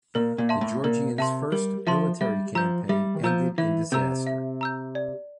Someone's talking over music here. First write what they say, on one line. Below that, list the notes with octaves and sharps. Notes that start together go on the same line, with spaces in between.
The Georgians' first military campaign ended in disaster.
A#2 A#4
A#2
E5 A5 C6
A2
A#2 A#4
C3 E5 A5 C6
G3 A#4
F3 E5 A5 C6
G3 E5
F3 A#5 E6 G6
G3 E5
F3 A#5 E6 G6
E3 E5
C3 A#5 E6 G6
E5
A#5 E6 G6
D5